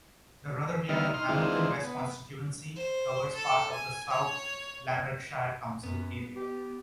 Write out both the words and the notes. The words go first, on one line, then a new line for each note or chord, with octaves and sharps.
The Rutherglen and Hamilton West constituency covers part of the South Lanarkshire council area.
D3 G3 B3 D#4 E5 F6
D#4 C6 F6
E3 G#3 C4 D4 D#4 F4
B3
C5
A4
G#5
C#5
F#2 B3
G4